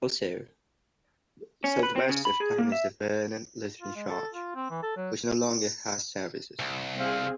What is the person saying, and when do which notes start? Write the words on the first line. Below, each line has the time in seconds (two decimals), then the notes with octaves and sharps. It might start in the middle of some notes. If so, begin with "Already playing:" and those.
Also, southwest of town is the Vernon Lutheran Church, which no longer has services.
1.64 C#4
1.83 B4
1.96 C4
2.09 C#3
2.25 B5
2.40 G#4
2.58 A#3
2.72 E5
3.81 F4
3.95 G#3
4.10 A4
4.34 F4
4.55 C4
4.70 E3
4.83 A4
4.97 F#3
6.59 C2
6.99 C4 G#4 F5